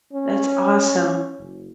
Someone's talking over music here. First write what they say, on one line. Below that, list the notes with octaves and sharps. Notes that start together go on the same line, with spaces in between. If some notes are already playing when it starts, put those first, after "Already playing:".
That's awesome.
C#4
F#1